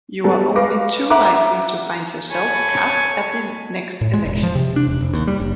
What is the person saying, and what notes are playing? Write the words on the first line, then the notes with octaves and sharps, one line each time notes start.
You are only too likely to find yourself cast at the next election.
G3 B3 F#4 A4
B4 F5 C#6 D6 A#6
E5 F#5 A#5 D6 F#6
A4 C#5 G#5 A5 B5
A2
G#3
E1
F3
C3
D4
E1
F1
D#2
G3
F#1